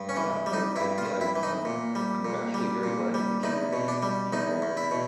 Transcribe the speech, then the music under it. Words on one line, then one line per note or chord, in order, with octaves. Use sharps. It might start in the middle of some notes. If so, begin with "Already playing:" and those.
yeah, I I thi I'm I'm I I'm actually very glad you mentioned the "being open
Already playing: G2
C#4
E3
G3
D#4
G2 E4
F4
G2
E4
E3
D#4
A#2
G3
A#2
G3
A#2
G3
E2 D#4
B2
D4
G3
E2 D#4
E2
E4
B2